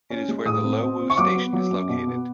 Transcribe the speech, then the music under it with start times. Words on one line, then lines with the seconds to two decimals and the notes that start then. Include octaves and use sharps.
It is where the Lo Wu Station is located.
0.10 C#4
0.28 G#3
0.45 A2 D#6
0.63 C4
0.82 C4
1.00 C4
1.10 C#6
1.17 F#3 D6
1.35 B3
1.53 F#3
1.71 F#2
1.89 B2
2.07 B3